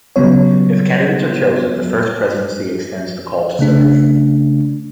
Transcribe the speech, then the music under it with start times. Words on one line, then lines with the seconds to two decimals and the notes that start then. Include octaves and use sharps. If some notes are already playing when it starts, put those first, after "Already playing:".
If candidates are chosen, the First Presidency extends the call to serve.
0.16 C#3 F#3 G3 B3 C#5
3.59 C#3 A3 D4